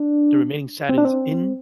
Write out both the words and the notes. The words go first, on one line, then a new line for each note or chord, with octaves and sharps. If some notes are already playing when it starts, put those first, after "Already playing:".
the remaining Saturdays in
Already playing: D4
C4
D4
C4